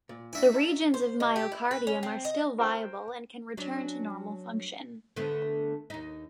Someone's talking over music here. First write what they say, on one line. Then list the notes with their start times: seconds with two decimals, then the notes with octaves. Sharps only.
The regions of myocardium are still viable and can return to normal function.
0.09 A#2
0.33 D4 E4 F#4 E5 G#5
0.52 D#4 C5 A5
0.94 C5
1.20 B2
1.36 G4
1.52 E4
1.71 B4
1.87 C#4
2.03 C4
2.25 D#5
2.59 A#4 C5 G5
3.57 F#3 C#4 D4
5.16 D3 A3 B3
5.90 D#2 D#4